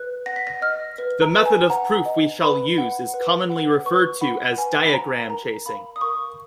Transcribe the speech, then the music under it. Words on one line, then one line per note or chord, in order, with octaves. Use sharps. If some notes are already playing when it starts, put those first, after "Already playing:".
The method of proof we shall use is commonly referred to as diagram chasing.
Already playing: B4 F#6
F#5 A#6
B6
A#6
D#5 F6
B4
A#5
B4
G#5
F#5 A#5
D#5
B4 B5
F#5
B4
F#5
B4 C#6
F#5 B5
B4 G#5
B5
F#5 A#5
A#4 A#5
F5 B5
D#6
A#4 C#6